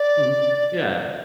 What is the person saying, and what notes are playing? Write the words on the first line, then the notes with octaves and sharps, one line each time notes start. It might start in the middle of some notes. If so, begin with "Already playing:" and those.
Mhm, yeah.
Already playing: D5